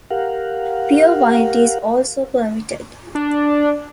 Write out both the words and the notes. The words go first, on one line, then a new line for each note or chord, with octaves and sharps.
Pure white is also permitted.
G4 A#4 F5 F#5
D4